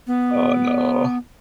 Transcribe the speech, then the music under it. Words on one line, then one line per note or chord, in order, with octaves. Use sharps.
Oh, no.
B3